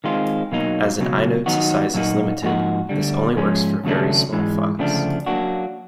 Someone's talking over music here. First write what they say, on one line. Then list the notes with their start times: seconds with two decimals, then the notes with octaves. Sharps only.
As an inode's size is limited, this only works for very small files.
0.04 D#3 G#3 C4 F4
0.52 B2 F#3 A#3 D#4
0.99 C#2 B2 F#3
1.46 D#3 F#3 B3 D#4 F#4
1.94 A#2 F#3 A#3 D#4 F#4
2.42 G#2 F3 A#3 D#4 F#4
2.89 D2 D3 G3
3.37 G#2 F3 G#3 C#4
3.84 D#2 C#3 F#3 A3 D4
4.33 G#2 E3 G#3
4.79 D2 C#3 F3 A3 D4
5.26 F#3 A#3 D4 F#4